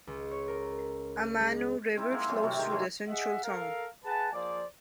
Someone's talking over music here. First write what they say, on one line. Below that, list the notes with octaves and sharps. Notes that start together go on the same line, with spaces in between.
Amano River flows through the central town.
C#2
C#5
A#4
G#3
C4 D#4 E4
G#3 A#3
E3 F#3 A3 C4
C3 F#4 G4 A#4
D#3 G#3 G4
E3 F#3 G3 A3
G#4 D#5 E5 F#5
A4 A#4 F5
G#4 B4 F#5 G#5 A5
F3 A#3 G#4 C5 D5